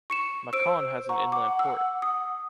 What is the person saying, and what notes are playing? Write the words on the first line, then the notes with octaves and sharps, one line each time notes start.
Mâcon has an inland port.
C#6 C#7 E7
C5 E6 D7
F#5 A#5 C#6
F#5 D6
E6
D#6